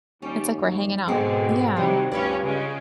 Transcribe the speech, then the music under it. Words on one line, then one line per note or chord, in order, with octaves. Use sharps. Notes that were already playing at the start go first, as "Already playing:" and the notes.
It's like we're hanging out, yeah.
D#2 G3 C#4
F#2
G#2 B2 D3 G#3 C4
C3 D#3 F#3 G3 C4
D2 G2 C#4 F4 B4 D5
C#3 G#3 C#4